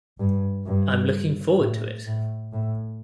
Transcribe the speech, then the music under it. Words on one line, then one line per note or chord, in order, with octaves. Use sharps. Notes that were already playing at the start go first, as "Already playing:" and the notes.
I’m looking forward to it!
G2
G2
A2
A2
A2